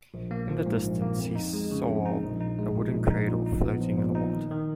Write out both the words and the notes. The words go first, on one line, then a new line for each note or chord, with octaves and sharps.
In the distance he saw a wooden cradle floating on the water.
A#1
A#3
F3
G#2
A#1
A#3
F2
D#4
G#3
C#3
F2
D#4
A#1
D#4
G#3
A#2
A#1
D#4
A#2
D#4
B3
F3
A#2
D#4
D#3
D#3